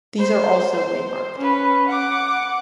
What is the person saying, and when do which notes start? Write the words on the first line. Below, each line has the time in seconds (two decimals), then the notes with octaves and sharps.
These are also waymarked.
0.18 C5
0.74 C5
1.38 C#4 B4
1.88 F#5 D6